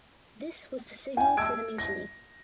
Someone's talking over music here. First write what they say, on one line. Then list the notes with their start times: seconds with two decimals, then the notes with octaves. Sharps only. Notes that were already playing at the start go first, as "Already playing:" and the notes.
This was the signal for the mutiny.
1.17 G5 G#5
1.37 A5 E6 G#6 D7
1.78 A#6